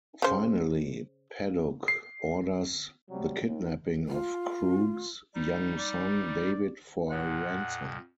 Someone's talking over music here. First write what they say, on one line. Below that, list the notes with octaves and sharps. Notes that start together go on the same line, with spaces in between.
Finally, Paduk orders the kidnapping of Krug's young son, David, for a ransom.
C#3 C5
C7
C3 F#3 G3
D#2
F4
G3 D#4
D5
F2 A#2 F#5